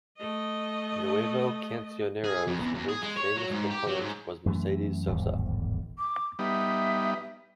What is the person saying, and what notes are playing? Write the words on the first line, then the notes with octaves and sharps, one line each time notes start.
Nuevo Cancionero's most famous proponent was Mercedes Sosa.
A3 D#5
G#4
F2
E2
E2
G#4
G#3
C#5
F#3
G#2
G4
F#3
G#2
F#2 E3 A3
D1 G#1 E2 G3
D6
G3 B3 D#4 E5